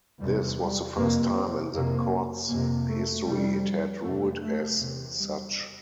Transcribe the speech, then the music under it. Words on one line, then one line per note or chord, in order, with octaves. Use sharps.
This was the first time in the court's history it had ruled as such.
E2 C3 G3
G3
F2 C3 A#3
C4
F2 C3 A#3
F2 C3 A#3
A3
F2 C3 G3
F2 C3 A3
A3
E2 C3
G3